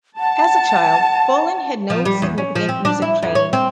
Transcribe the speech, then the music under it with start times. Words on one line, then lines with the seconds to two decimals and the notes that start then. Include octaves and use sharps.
As a child, Follin had no significant music training.
0.19 F#5 A5
1.90 F3
2.05 G3
2.22 E2
2.38 C#4
2.55 F3
2.69 C4
2.85 D4
3.02 E4
3.23 F2
3.35 C#5
3.53 C4